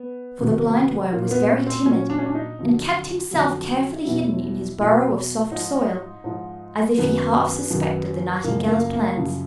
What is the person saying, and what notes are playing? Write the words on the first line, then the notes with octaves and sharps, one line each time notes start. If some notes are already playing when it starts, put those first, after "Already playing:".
For the Blindworm was very timid and kept himself carefully hidden in his burrow of soft soil, as if he half suspected the Nightingale's plans.
Already playing: B3
E2 C3 D#3 F#3
A#2 F#3 A#3
A#3
B3
C#4
C4
A#2 F#3 C#4
D4
C#4
D4
D#4
F2 D3 F#3
F2 D3 F#3
E2 B2 F#3 E4
E2 B2 F#3
G#2 F3 D#4
G#2 F3
F#2 D#3 F#3 B3
F#2 D#3 F#3
F#2 C#3 F3 A#3
A#3
A#3
F#2 C#3 F3